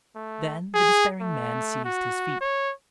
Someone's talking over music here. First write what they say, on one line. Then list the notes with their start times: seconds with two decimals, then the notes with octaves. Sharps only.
Then the despairing man seized his feet.
0.15 A3
0.74 G#4
1.21 A3
1.85 F#4
2.41 C#5